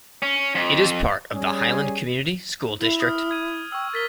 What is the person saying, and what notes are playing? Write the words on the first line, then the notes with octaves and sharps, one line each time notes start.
It is part of the Highland Community School District.
C#4
F2
G3 C#4 G#4
E4
D#6 F6
D#6 G#6 D#7
G5 C#6 E6
A#4 A6 B6 G7